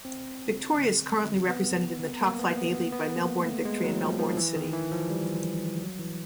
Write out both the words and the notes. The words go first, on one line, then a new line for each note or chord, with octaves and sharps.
Victoria is currently represented in the top-flight A-League by Melbourne Victory and Melbourne City.
C4
B3
A#3
B3
B3
B3
B3
A#3
A3
G#3
F#3
F3
F3
E3
D#3
E3
F3
G3
F#3
E3